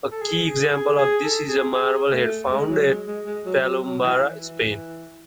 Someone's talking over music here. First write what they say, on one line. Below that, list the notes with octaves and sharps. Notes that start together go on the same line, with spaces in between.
A key example of this is a marble head found at Palombara, Spain.
A4
G#4
G#4
G#4
G#4
A4
G#4
G#4
A3
G#3
F#3
G#3
G#3
G#3
F#3
F#3
F#3
E3
E3